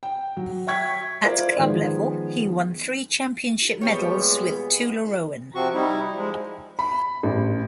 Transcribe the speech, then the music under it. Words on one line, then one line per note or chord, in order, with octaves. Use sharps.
At club level he won three championship medals with Tullaroan.
G5
F#3
E5 G5 C#6 G#6 B6
E4 F4 A#4 C5 D5 F5
D#3 F3 G#3 B3
A#2 G3 G#3 B3 G4 C#5
C3 F3 C4 F#4 C#6
G3 D#4 E4
F3 G#3
B5
A1